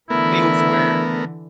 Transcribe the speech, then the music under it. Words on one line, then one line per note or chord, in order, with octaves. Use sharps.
things where
D3 E3 A3 B3 E4 A#4